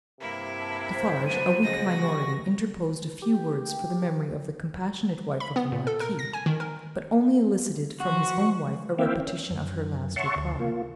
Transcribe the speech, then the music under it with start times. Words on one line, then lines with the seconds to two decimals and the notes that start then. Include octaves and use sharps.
Defarge, a weak minority, interposed a few words for the memory of the compassionate wife of the Marquis; but only elicited from his own wife a repetition of her last reply.
0.20 G2 C3 A#3 E4
0.60 A5
0.92 C5 B6
1.27 F#3 B3 D4 D#7
1.64 C#3 G#3 F#4 A#6
2.01 G4 C#6
3.22 G4
5.40 B5
5.56 B3
5.72 A#2
5.87 A4
6.00 A#4
6.19 A#6
6.33 G#5
6.46 D#3
6.60 A#4
8.00 F3 F#4
8.99 A#3 C4 E4 E5 F5 G5
9.19 C#4
9.50 F#2
10.16 C#5 E5 F#5 A5 C6 C#6
10.36 D2
10.60 A#3 F4